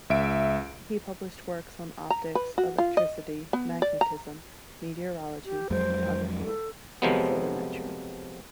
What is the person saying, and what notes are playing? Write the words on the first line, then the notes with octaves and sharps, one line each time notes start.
He published works on optics, electricity, magnetism, meteorology, photography and photometry.
C#2 E5 D7
A#5
B4
F#4
F4
D#5
B3
D5
A#5
G4
F2 F#3 G#3 C5
A4
F2 C3 F3 F#3 G#3 B3